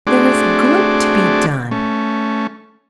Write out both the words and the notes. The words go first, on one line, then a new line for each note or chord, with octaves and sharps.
There is good to be done!
A3 C4 D4 F#4 G#4 D5
A3 C#4